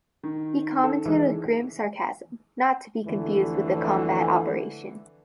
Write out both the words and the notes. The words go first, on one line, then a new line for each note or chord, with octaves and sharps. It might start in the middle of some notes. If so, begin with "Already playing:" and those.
He commented with grim sarcasm, Not to be confused with a combat operation.
D#3
A4
E3 G#3
F2 D3 E3 A3